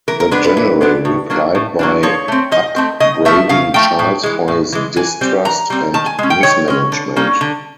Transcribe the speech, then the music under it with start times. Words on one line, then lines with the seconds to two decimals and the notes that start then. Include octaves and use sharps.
The general replied by upbraiding Charles for his distrust and mismanagement.
0.08 E3 A#4
0.20 A#4
0.31 G#3 B3 D4 B4
0.44 B4
0.57 E3
0.81 G#3 B3 D4
1.05 A2
1.30 F#3 A#3 D4
1.55 A2
1.79 F#3 A#3 D4
2.03 F3 C#5
2.28 A3 C4
2.51 F3 D#5
2.76 A3 C4
3.00 C#3 D#5
3.25 F3 A3 E5
3.49 C#3 F5
3.74 F3 A3 G5
3.99 A2
4.24 E3 G#3
4.48 A2
4.73 E3 G#3
4.96 E3 G#5
5.21 G3 C4
5.45 E3 A#5
5.70 G3 C4
5.94 D#3 A5
6.06 G#5
6.19 G#3 C#4
6.30 G5
6.43 D#3 C#5
6.68 G#3 C#4
6.92 D3
7.16 G3 A#3 C#4
7.41 D3